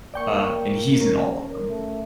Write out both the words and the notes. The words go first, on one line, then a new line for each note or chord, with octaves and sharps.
uh, and he's in all of them.
A#3 D5 G5 C#6
C#4 A#4
A3